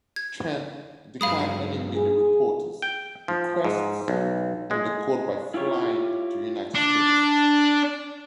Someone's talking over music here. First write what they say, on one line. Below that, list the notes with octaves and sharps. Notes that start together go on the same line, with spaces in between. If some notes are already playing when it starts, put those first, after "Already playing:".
Chen declined any media reporters' requests and the court by flying to United States.
G#6
G2 F#3 G#3 F5 B5 D#6
G#4
G5
F3
G#2
B1
G#3
E4 F4 G4 C#5
D4